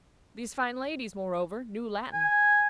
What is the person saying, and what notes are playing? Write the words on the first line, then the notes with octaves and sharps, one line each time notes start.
These fine ladies, moreover, knew Latin.
G#5